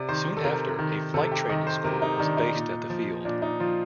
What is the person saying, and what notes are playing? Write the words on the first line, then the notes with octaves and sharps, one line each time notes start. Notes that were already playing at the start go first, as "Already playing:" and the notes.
Soon after, a flight training school was based at the field.
Already playing: C3 D5
D#3 C5
A4
C3 A#4
D#3
C3 A4
G4
D#3 D#5
C5
C3 A#4
D#4
D#3 D4
D#4
A#2
F3
A#2 D4
D#4
F3 F4